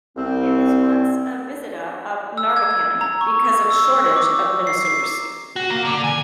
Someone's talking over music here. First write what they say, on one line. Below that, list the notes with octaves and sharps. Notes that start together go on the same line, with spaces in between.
It was once a "visita" of Narvacan because of a shortage of ministers.
C2 C4
E6
G#6
A#5
C#6
E6
D6
C7
C7
F#4
A#3
D3
G#5